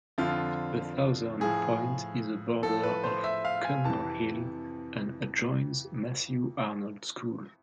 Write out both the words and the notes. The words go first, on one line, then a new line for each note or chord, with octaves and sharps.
The southern point is a border of Cumnor Hill and adjoins Matthew Arnold School.
F2 D3 F3 F4
A2 F3 G#4
A2 F3 A4
B4
C5
E5
F5
G#5
F2 C3 E3 A5